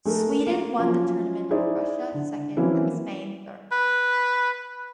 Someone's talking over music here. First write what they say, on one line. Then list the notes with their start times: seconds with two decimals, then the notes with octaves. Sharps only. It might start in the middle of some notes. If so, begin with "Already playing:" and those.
Sweden won the tournament with Russia second and Spain third.
0.05 G#3 A3 A4 A#4
0.47 A#3
0.78 F3 F#3 C#4 F4
1.50 D#4 E4 G#4 C5 D5
2.14 D3
2.57 E3 F#3 A#3 C4 C#4 E4
3.72 B4